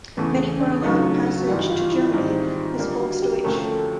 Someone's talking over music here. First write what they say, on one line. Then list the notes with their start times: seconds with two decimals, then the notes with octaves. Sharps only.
Many were allowed passage to Germany as "Volksdeutsche".
0.17 E2 C#3 E3 A3 B3
0.39 C#4
0.60 D4
0.82 C#3 F#3 A3 C#4 D#4 F4
1.26 F#4
1.48 G#1 G2 E3 G3 F#4
1.70 F4
1.92 E4
2.13 G#2 D#3 G3 C4 D#4
2.79 D3 G3 A#3 F4
3.01 F#4
3.22 G4
3.44 D2 C3 F3 A3 C#4 A#4
3.66 A4